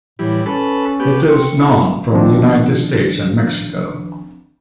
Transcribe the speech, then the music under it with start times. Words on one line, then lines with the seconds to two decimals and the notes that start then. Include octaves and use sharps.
It is known from the United States and Mexico.
0.19 A2 E3 G3
0.46 C#4 A4 B4
1.00 B3 G4
1.29 C4 C#6
1.56 E4
2.12 D#3 F3 C4 D4